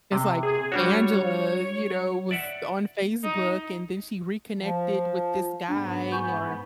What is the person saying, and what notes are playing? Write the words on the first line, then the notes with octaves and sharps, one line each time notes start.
It's like, Angela, you know, was on Facebook, and then she reconnected with this guy or
C3
G#4
G3 D4 F#4 C#5
D5 E5 F#5
D#4
F3
G#2 B3 D4
G#5 C#6 G6